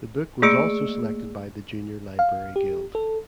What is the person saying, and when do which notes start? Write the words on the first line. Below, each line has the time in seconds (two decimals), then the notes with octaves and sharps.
The book was also selected by the Junior Library Guild.
0.42 A3 A#3 G#4 E6 C#7 D7
2.19 F5
2.56 G4
2.95 A4